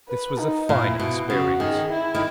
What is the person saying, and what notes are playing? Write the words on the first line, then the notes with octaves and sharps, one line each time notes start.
This was a fine experience.
B4
D#4
A#2 E4
B2
C#3 F#4
D#3 G#4
E4
D#3